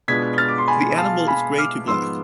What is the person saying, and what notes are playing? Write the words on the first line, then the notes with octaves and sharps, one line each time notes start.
The animal is grey to black.
B2 G#3 B3 D4 F4 G#6 B6
F6 A6
D6
C6
G#5 B5
F5 A5
G#5 B5
D6 F6
G#2 F3 G#3 B3 C6 E6